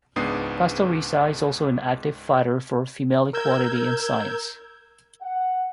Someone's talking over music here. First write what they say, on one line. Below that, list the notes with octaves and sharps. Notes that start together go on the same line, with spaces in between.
Pastoriza is also an active fighter for female equality in science.
C#2 G#2 B3 D4 D#6 C7
A#4 E6 G6 G#6
F#5